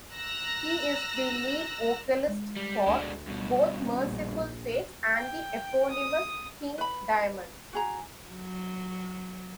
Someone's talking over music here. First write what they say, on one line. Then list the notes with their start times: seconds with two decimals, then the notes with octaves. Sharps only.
He is the lead vocalist for both Mercyful Fate and the eponymous King Diamond.
0.13 A#5 E6 F#6 A#6
2.27 G#3
2.56 G3
2.86 D2 G#3 D4
3.27 G2 B2
3.78 D#3 C#4
4.04 A#1
5.16 G5
5.90 D#6
6.78 B4 B5
7.73 F#4 G#4 A#5
8.29 F#3